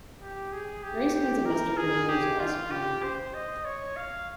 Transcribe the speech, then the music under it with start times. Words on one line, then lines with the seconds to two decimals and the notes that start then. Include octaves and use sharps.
Various kinds of mustard and mayonnaise are also common.
0.21 G4
0.52 G#4
0.83 G4
1.14 G4
1.46 A#4
1.77 G#4
2.09 G4
2.40 F4
2.71 G4
3.03 C5
3.34 D#5
3.65 C#5
3.97 F5